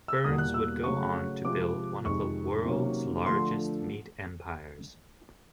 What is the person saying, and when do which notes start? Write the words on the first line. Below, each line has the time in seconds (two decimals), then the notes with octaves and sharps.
Burns would go on to build one of the World's largest meat empires.
0.08 E6
0.24 E2 B2 G3 A#3 D#6
0.38 F#6
0.54 E6
0.84 C#3 F#3 A3 C#6
1.45 C3 F3 G#3 D6
2.05 F2 C3 D#3 G#3 C#6
2.65 C3 D#3 F#3 A#3 C#4
3.26 D3 F3 A3 D4 C6